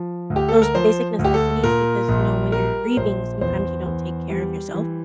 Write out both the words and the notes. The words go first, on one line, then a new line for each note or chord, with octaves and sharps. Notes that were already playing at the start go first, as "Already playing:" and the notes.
those basic necessities because, you know, when you're grieving, sometimes you don't take care of yourself,
Already playing: F3
D2
G4
A4
A#4
F3 C5
D2
G4
A4
A#2 A#4
A#1
G3 A#4
A#1 C5
E2 C5
E2
G3
E3